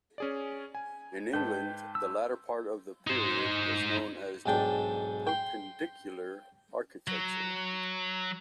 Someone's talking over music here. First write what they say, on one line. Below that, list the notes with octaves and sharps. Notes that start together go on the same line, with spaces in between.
In England the later part of the period is known as Perpendicular architecture.
C#4 G#4 D5
G#5
G#2 B4 G5 A5
E6
D#4 C5
B1 G#2 D4 G5
G5 C6
F#3